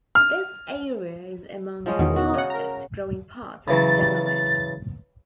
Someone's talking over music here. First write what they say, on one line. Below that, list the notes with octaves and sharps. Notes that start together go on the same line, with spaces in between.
This area is among the fastest growing parts of Delaware.
F6
F3 G#3 C#4
E2 B2 D#3
F#4
C#3 D#5 F#5
A#4 A#5
C#3 E3 F#3 A6